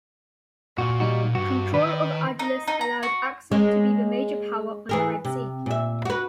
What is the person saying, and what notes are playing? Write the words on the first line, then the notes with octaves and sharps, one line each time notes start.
Control of Adulis allowed Axum to be the major power on the Red Sea.
A#2 F#4
G3 D#4 F#4
G2 F#4
D#3 B4
D#4
D#4
A#5
F#4
G#3 A#3 C#4
E3 G#4 A#4
C3
A#2 E5
F#4 B4